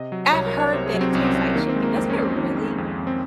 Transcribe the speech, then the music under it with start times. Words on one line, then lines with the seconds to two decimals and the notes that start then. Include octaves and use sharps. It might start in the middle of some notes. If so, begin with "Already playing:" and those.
I heard that it tastes like chicken; doesn't it really?
Already playing: C3 D#5
0.12 F#3
0.33 C2 C#5
0.46 A#4
0.54 C2
0.60 C#5
0.73 C3 C5
0.87 G#4
0.94 F#3
1.01 C4
1.13 C2 C#4
1.24 C4
1.34 C2
1.55 D#3 A#3
1.69 C4
1.76 G#3
1.83 A#3
1.96 F2 C4
2.10 C#4
2.17 F2
2.24 C4
2.37 D#3
2.57 G#3
2.78 F2
2.98 F2
3.07 C4